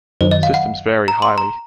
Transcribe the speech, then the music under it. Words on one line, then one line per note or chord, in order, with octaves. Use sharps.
Systems vary highly.
F#2 D#3 F#3 C5
D#5
F5
F#5
A#5
C6
A#5